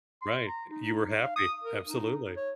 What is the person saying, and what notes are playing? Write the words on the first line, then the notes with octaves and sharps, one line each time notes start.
Right, you were happy, absolutely.
C6
A#5
D#4
F5
D#6
A#4
D#4
C#5